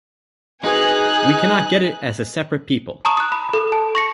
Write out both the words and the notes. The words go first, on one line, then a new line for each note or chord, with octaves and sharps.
We cannot get it as a separate people.
C4 D#4 F#4 G#4 B4 G#5 F#6
A5 A#5 C#6 D#6 E7
D#6 F#6
B5
A4
A5
C#6 A#6 C#7